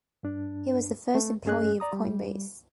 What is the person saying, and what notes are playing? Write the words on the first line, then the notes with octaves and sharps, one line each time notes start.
He was the first employee of Coinbase.
G2 D4
A3
G2 A3 C#4 G#4 D#5 F#6
D5 A#5 D#6
G3